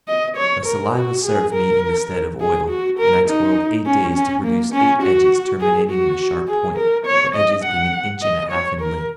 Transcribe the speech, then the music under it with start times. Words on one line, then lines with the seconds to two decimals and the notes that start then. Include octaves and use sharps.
My saliva served me in the stead of oil, and I toiled eight days to produce eight edges terminating in a sharp point, the edges being an inch and a half in length.
0.08 D#5
0.37 C#5
0.66 A#4
0.95 F#4
1.24 G#4
1.53 A#4
2.41 G#4
2.69 F#4
2.99 A#4
3.28 D#4
3.86 C#4
4.15 C#4
4.44 A#3
4.73 C#4
5.02 F#4
5.60 G#4
5.90 F#4
6.48 G#4
6.77 A#4
7.06 C#5
7.35 D#5
7.64 F#5
8.22 D#5
8.51 C#5
8.81 A#4